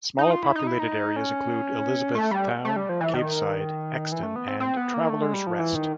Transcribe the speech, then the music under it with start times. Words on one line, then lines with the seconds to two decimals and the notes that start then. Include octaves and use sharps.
Smaller populated areas include Elizabeth Town, Caveside, Exton and Travellers Rest.
0.18 D#4
0.31 F4
0.43 E4
0.55 D#4
0.67 E4
0.79 D#4
1.16 C#4
2.15 A3
2.31 G3
2.65 A3
2.76 G3
2.89 F3
3.01 E3
3.14 D#3
4.12 E3
4.23 A3
4.36 B3
4.48 C4
4.60 C4
4.77 B3
4.94 A#3
5.10 A3
5.22 G#3
5.34 G3
5.47 F3
5.59 E3
5.75 D#3